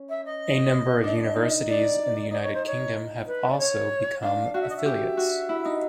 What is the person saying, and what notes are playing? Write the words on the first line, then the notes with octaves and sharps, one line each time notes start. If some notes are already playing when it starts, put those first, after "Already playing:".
A number of universities in the United Kingdom have also become affiliates.
Already playing: C#4
E5
D#5
D4
D#4
D5
D#4 D5
C#5
C5
C#5
B4
D5
C#5
D4 F5
F#4 F5
E5
D#5
E5
G4
F#4
E4
D#4